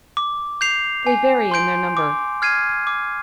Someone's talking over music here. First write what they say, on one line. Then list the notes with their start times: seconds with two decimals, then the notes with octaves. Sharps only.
They vary in their number.
0.17 D6
0.61 G6 C7 F7
1.07 G#5
1.51 C6 G6 D7
1.97 D6
2.42 F6 G#6 C7 D#7
2.87 D6